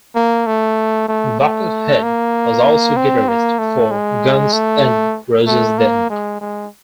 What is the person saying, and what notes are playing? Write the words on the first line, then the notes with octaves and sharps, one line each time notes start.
Buckethead was also guitarist for Guns N' Roses then.
A#3
A3
A3
A3
A#3
C4
A#3
A3
G#3
A3
A3
A#3
G#3
G#3